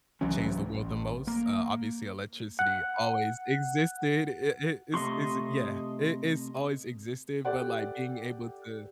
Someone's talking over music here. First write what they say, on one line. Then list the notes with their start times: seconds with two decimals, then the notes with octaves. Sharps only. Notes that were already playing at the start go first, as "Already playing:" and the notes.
changed the world the most. Uh, obviously, electricity always existed. It it it's it's yeah. It It's always existed, but, like, being able to
0.21 C2 E3 F#3 C#4
0.74 A1
1.27 A#3
2.59 F#5
4.94 C3 A3 D#5 C6 C#6
7.45 G4 A4 D5 F#5